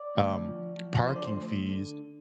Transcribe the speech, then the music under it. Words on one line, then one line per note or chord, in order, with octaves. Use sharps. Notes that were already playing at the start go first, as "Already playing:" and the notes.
um, parking fees,
Already playing: D5
D2
F3
F3
D3 C5
D5
C5
D2
D3